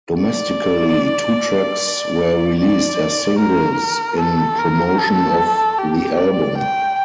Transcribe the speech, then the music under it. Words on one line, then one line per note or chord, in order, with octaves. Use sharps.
Domestically two tracks were released as singles in promotion of the album.
D5
D5
A#4
A4
A#4
A4
G4
D5
G5